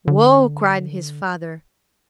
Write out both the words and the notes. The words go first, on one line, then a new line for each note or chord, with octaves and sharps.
"Whoa!" cried his father.
D3